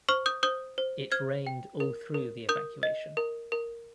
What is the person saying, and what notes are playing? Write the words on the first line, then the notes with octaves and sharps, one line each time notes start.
It rained all through the evacuation.
C5 C#6 F6
D#6 G6
C5 D#6 G6
C5
C5 F6 G#6
G5
A#4
A#4
A#4 D#6 G6
D#5
A#4
A#4